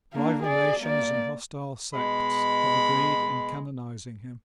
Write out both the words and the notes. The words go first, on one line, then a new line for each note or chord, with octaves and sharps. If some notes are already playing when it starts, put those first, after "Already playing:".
Rival nations and hostile sects have agreed in canonising him.
A#3 D4
G#4 D5
A#3 D5
B2 G#3 B5